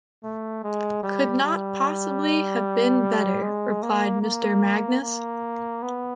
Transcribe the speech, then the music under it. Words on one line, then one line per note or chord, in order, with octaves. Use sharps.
Could not possibly have been better,’ replied Mr. Magnus.
A3
G#3
G3
G3
G#3
A#3
A#3
A#3
B3